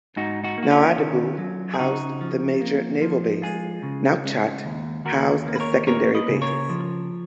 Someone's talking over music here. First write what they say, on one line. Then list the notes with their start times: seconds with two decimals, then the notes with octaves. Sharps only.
Nouadhibou housed the major naval base; Nouakchott housed a secondary base.
0.16 G#2 D#4 F#4
0.44 D#4 F#4
0.58 A#3 F#4
0.71 C#4 F4
0.98 D#3
1.38 F#3
1.74 G#4
1.79 C#3 D#4 F#4
2.21 F3
2.61 A#3
3.02 F3
3.42 G#3 F4 G#4
3.83 C#3
4.24 G#3
4.65 D#2
5.05 D#2 F#4 A#4
5.47 A#3
5.56 B4
5.60 A#4 C#5
5.87 A#3 A#4 C#5
6.15 B4 D#5
6.29 C#3
6.42 A#4 C#5
6.70 F3